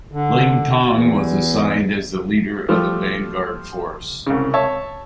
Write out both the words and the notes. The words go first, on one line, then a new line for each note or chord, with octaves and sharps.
Ling Tong was assigned as the leader of the vanguard force.
D3
E2
F3 G3 A3
C2 C#3
C#5 E5 A5